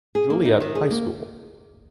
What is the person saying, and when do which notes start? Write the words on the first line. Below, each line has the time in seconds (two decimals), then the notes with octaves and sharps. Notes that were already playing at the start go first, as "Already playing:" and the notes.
Juliet High school.
0.15 G#4
0.30 A#3
0.45 D#4
0.60 D#3
0.75 G#4
0.91 A#3